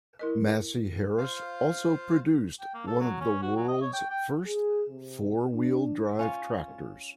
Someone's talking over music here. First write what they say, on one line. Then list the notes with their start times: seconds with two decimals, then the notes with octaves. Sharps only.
Massey Harris also produced one of the world's first four-wheel drive tractors.
0.19 E4 A#4 D#5
1.18 F4 C5 F5
2.60 G5
2.74 A#3
2.87 A4
3.01 F#3
3.21 C#4
3.42 F#4
3.57 F#3
3.68 D#5
3.82 C#5
3.93 G5
4.10 G5
4.46 G#4
4.89 C3
5.53 D4
6.19 C#4 F4